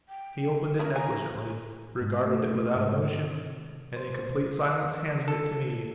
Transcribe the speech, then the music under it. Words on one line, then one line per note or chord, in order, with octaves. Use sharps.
He opened it negligently, regarded it without emotion, and, in complete silence, handed it to me.
G5
C#4 D#4 E4 A#4
G#5 A#5
G#2
A3
G#2
C3
C5
A4